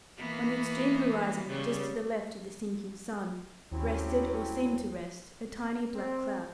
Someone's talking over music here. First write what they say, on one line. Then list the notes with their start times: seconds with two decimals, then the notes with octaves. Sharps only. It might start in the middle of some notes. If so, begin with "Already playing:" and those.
On the extreme horizon, just to the left of the sinking sun, rested, or seemed to rest, a tiny black cloud.
0.18 E3 A#3 B3
1.47 C#3 G3
3.72 D#2 F#3 C4 C#4 E4 G4
5.95 C4